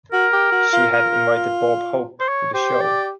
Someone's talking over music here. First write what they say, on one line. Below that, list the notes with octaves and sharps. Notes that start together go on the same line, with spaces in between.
She had invited Bob Hope to the show.
F#4 A#4
G4
F#4
F4
F4
C5
C#5
G4 C5
D5